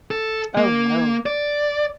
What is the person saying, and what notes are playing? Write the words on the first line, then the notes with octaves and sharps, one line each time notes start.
Oh, no.
A4
A#3
D5